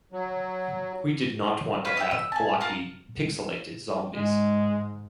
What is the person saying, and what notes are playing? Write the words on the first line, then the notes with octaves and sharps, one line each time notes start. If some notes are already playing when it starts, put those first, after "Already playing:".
We did not want to have blocky, pixelated zombies.
F#3
B4 C#5 F5
E5 G5
E6
G#5 A5
F4 A#4 F5 A5
G#2 G#3